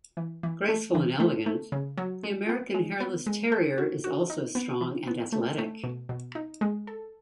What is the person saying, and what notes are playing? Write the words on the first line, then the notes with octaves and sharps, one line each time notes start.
Graceful and elegant, the American Hairless Terrier is also strong and athletic.
E3
E3
A3
E3
A3
A3
C#3
F#3
G#3
B3
G#3
B3
G#3
A4
F#4
F#4
D#4
B3
E3
B3
A3
A3
B2
B2
D#4
G#3
A4